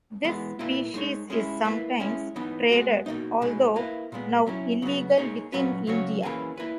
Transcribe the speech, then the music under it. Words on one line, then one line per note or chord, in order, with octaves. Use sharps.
This species is sometimes traded although now illegal within India.
E3 G#3 B3
A#2 A#3 E4 B4
G#3 D#4 A#4 C#5
G#3 C#4 E4 G#4
A#3 E4 B4
G#3 C#4 E4
E3 B3 D#4
G#3 B3 F#4
B2 A#3 D#4
B2 G#3 D#4
A#3 E4 B4
A#2 G#3 B3
F#3 C#4 E4
C#3 F#3 B3 F#4
A#3 D#4 G#4 C#5
A#2 F#3 C#4 F#4 B4
C#3 F#3 C#4 F#4 C#5
E3 A#3 C#4 G#4 B4
A#3 E4 B4